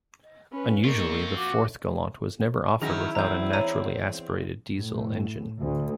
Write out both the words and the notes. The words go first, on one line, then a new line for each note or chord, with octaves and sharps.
Unusually, the fourth Galant was never offered with a naturally aspirated diesel engine.
D#5
C#4 B4 B5
A#3 C4 F4 D#5 C#6
F#4 D6
D#3 F#3 C#4 E4 G#4 A#6
E2 C4 A#5 G6
C#5 A#5 D#7
A2
D2